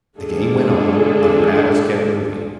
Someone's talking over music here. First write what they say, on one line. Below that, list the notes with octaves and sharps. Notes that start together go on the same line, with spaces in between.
The game went on, and the paddles kept moving.
D3 G#3 D4 F4 G#4 A4